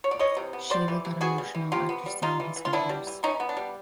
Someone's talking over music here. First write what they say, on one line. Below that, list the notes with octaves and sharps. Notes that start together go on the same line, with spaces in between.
Shiva got emotional after seeing his daughters.
C#5
D5
E3 C#5 D#5
C3
B3
G3 C5 D5
E3
C3
B3 F#4 G#4
G3
E3
C3 F4 G4
B3
G3
G3 D#4 F4
E3
E3
F4
B3 D4 E4
G3
E3
E3 C#4 D#4
B3
D4
G3